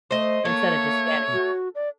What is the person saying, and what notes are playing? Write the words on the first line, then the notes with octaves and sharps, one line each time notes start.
instead of just standing
A3 C5 D#5
A3 A#3 C#5
F#4
D5